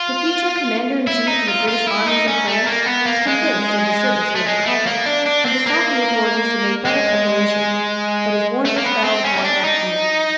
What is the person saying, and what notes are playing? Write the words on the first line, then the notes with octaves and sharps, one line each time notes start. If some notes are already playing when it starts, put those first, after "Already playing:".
The future commander-in-chief of the British armies in France was convinced of the certainty of the conflict and besought the authorities to make better preparation--but his warnings fell upon deaf ears.
Already playing: F4
E4
D#4
F4
F4
E4
D#4
C#4
A3
A#3
B3
A#3
G#3
A3
G#3
A3
A#3
D4
D4
C4
A#3
G#3
A3
A#3
B3
C4
C#4
D#4
D4
D#4